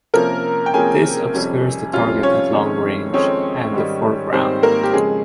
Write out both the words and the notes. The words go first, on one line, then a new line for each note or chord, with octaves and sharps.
This obscures the target at long range and the foreground.
C3 F3 A#3 C#4 A#4 A#5
G5
C3 F3 A#3 C#4 G#4 G#5
F2 C3 G3 C#4
F2 C3 G3 C#4 F4 F5
C#4 C#5
F2 D#3 G#3 C4 D#4
F2 D#3 G#3 C4 C#4 D#4 C#5
G#2 D#3 G3
G#2 D#3 G3 C4 C5
A#3 A#4
G4
F2 C#3 G#3 G#4